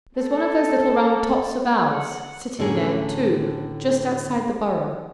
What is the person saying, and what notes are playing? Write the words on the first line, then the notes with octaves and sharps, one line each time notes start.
There's one of those little round tots of owls sitting there too just outside the burrow.
A4
F#5
A2 D3 C#4 G#4 A#4